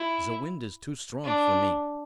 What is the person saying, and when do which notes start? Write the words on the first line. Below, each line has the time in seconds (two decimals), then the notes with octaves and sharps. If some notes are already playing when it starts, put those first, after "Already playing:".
"Ze wind is too strong for me!"
Already playing: E4
1.24 D4